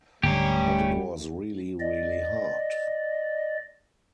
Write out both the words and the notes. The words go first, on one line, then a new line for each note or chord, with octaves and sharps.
But it was really, really hard.
D1 G#2 D3 G3 A3 C#4 G4 A#5
D5 D#5